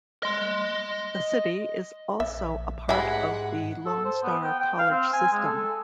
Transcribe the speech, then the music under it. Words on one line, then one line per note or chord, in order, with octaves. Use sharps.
The city is also a part of the Lone Star College System.
D#5 C6
A#1 E5
G#2 G#3 G4 E5 F#5 B5
A4
C5
B3
G5
G5
F5
C4
G#5
G#3
A4